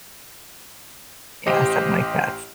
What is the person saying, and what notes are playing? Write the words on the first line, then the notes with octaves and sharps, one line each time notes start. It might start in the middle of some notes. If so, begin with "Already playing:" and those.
Yeah, something like that's
A1 G4 C5 D#5